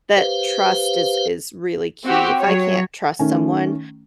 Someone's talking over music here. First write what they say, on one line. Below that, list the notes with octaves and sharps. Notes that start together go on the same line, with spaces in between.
that trust is is really key. If I can't trust someone,
G4 B4 C5 F5
C4 F#4 G4
F#3 C#5
D#3 A3 C#4